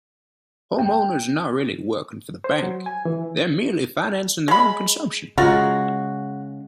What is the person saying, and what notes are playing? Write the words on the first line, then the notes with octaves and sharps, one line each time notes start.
Homeowners are not really "working for the bank"; they're merely financing their own consumption.
G5
C5
F#3
G#5
E3
G#3 B5
C#3 G#3 F4 F#4 A#5